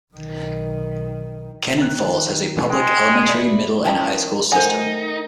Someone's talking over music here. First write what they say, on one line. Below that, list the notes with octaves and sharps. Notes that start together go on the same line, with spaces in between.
Cannon Falls has a public elementary, middle, and high school system.
B1 D#3
D#3 F#6
G#3 G5
D5 E5 B5
D#3 F3 C#4 E4 E5 G5 A5 A#5
D#3 A3 D#4 C5 F#5 G#5